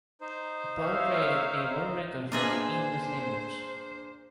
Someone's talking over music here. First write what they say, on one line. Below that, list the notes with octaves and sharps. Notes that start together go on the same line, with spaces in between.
Poe created a world record for the English language.
D#4 C5
C#5 E5 F5
A#2 D4 F4 G#4 B4 C5 D#5 E5